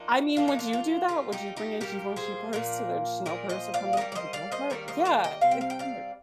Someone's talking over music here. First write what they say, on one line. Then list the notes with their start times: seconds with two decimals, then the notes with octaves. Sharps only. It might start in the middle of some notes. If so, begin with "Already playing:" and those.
I mean, would you do that? Would you bring a Givenchy purse to the Chanel purse or something to the dog park? Yeah, it's weird.
Already playing: F3 A#3 D4 D#4
0.37 F3 A#3 D4 F4
0.48 D#4
0.59 F4
0.73 F4
1.08 A#2 G3 A#3 F4
1.32 D#4 G4
1.57 D#4 G4
1.81 A#2 G3 A#3 G4 A#4
2.16 G#4 C5
2.53 A#2 F3 A#3 A#4 D5
3.26 A#2 F3 A#3 A#4 D5
3.49 C5 D#5
3.74 D5 F5
3.93 D#5
3.97 D#3 G3 A#3 A#4 D5
4.12 D5
4.15 C5 D#5
4.33 D5 F5
4.52 C5 D#5
4.70 D#3 G3 A#3 A#4 D5
4.88 C5 D#5
5.05 D5 F5
5.24 D#5 G5
5.41 C3 G3 C4 F5
5.51 G5
5.61 F5
5.70 G5
5.79 D5 F5